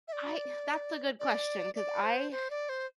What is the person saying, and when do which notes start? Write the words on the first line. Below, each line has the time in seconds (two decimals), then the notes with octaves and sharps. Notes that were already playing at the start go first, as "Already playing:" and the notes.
I that's a good question 'cause I
0.08 E5
0.13 D5
1.20 D5
1.75 D5
2.04 C5
2.31 C5
2.50 D5
2.69 C5